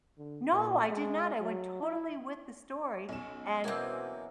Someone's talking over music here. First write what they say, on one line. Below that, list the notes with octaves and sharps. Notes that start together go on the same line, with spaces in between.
No, I did not, I went totally with the story and
D3
A#2
G#3
F#3
E4
B1 C#4 E7
B2 E3 F#3 A#3 C4 G#5